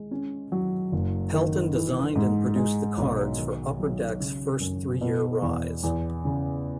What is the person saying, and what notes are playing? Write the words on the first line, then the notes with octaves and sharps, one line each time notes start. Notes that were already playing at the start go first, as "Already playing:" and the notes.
Pelton designed and produced the cards for Upper Decks first three-year rise.
Already playing: G#3
C#4
F#3
F#1
D#3
E3
G#2
G#3
B1
D#3
F#3
C#3
F#2
B2
E2
E2
C#3